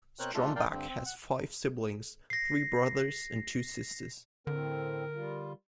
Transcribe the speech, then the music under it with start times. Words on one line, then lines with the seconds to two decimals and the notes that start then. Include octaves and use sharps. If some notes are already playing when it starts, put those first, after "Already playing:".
Stromback has five siblings, three brothers and two sisters.
0.19 B2 C4 A#4 C5 C#5 F#6
0.34 G#3 A3 D4 F4 A4
0.56 D4 A#4 D5 F5 G5
0.70 G2 D3 C4
0.89 C4
1.06 F#5
2.30 A#6 C7
4.47 A2 D3 C4 A#4
5.14 G3 F4